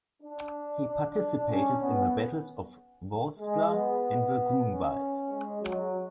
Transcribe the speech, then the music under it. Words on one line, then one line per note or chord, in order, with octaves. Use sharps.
He participated in the Battles of Vorskla and the Grunwald.
D4
D4
C#4
B3
G#3
B3
C#4
G#3
F#3